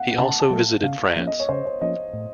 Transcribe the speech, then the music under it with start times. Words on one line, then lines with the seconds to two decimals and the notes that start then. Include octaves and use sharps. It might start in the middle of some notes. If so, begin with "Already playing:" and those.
He also visited France.
Already playing: F5 F#5
0.11 F#5
0.18 C#3 A5
0.40 A5
0.50 F#3 A3
0.83 C#3 F5
1.16 F3 A#3 C#4
1.27 D#5
1.40 C#5
1.49 C#3 C5
1.65 C#5
1.81 F3 A#3 C#4 D#5
2.13 A2